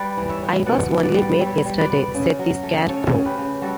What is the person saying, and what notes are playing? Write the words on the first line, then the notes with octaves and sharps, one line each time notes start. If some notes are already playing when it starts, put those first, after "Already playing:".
'I was only made yesterday,' said the Scarecrow.
Already playing: G3 B4 D5
E3
C#5 E5
A2
B2 D5 F#5
B2
D5 F#5
G3
G3 C#5 E5
G3
B4 D5
B2
C#3
F#3
A3
C#3 A4 C#5
C#3
G4 B4
C#3
G3 F#4 A4